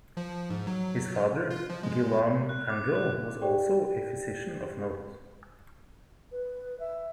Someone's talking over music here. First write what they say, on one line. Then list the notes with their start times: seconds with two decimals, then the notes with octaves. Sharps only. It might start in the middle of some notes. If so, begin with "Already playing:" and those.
His father, Guillaume Andral, was also a physician of note.
0.17 F3
0.50 G#2
0.67 F#3
1.51 F4
1.70 F3
1.83 G#3
2.49 F#6
2.70 D6
2.95 F#6
3.42 G4 C5 D5 G5
6.32 B4
6.80 E5